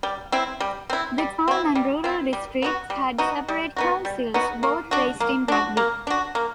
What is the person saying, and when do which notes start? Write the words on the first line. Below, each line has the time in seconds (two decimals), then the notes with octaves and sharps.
The town and rural district had separate councils, both based in Rugby.
0.03 G3
0.32 C4 E4
0.60 G3
0.90 C4 E4
1.18 G3
1.48 C4 E4
1.75 G3
2.04 C4 E4
2.33 G3
2.62 B3 D#4 F#4
2.90 G3
3.18 B3 D#4 F#4
3.48 G3
3.76 B3 D#4 F#4
4.05 G3
4.34 B3 D#4 F#4
4.63 A#3
4.91 D4 F#4
5.20 A#3
5.48 D4 F#4
5.77 A#3
6.07 D4 F#4
6.35 A#3